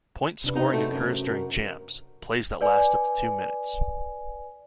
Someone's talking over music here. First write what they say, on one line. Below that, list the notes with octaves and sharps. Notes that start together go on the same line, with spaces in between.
Point scoring occurs during "jams": plays that last up to two minutes.
C3 D4 B4
C4 D#4 C5
A3 F#4
F#2
F#4 A#4
B4 D5 G#5